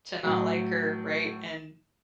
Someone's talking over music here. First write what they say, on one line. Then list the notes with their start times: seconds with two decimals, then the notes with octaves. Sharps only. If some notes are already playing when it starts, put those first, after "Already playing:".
to not like her, right, and
0.23 A2 F#3